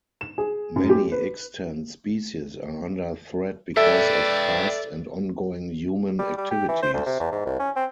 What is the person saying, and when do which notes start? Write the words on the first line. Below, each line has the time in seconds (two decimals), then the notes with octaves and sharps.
Many extant species are under threat because of past and ongoing human activities.
0.21 E7
0.38 G#4
0.76 F#2
0.90 G4
1.12 B4
3.77 A4 B4 D5 E5 G5
6.19 G3
6.38 G3
6.51 G4
6.69 E3
6.82 C5
6.93 D2
7.06 C3
7.20 E2
7.32 G#2
7.45 C2
7.59 C#4
7.76 C4